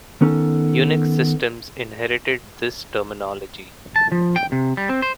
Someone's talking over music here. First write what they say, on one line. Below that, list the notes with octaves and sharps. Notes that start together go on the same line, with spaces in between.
Unix systems inherited this terminology.
D#3 B3 C#4 D#4 A4
A5
F3
G5
C3
G3
C4
C5